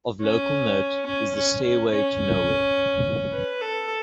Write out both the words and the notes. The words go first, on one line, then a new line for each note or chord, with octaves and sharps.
Of local note is The Stairway to Nowhere.
C#4
C#4
C#4
C#4
C#4
B4
A4